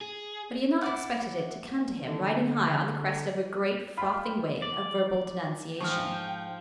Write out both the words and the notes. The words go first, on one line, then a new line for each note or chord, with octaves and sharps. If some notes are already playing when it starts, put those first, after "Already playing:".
But he had not expected it to come to him riding high on the crest of a great, frothing wave of verbal denunciation.
G#4
E4 D5 F#5
D3
F4 G5 B5
D5
D#2 G#2 F3 G5 C#6 F6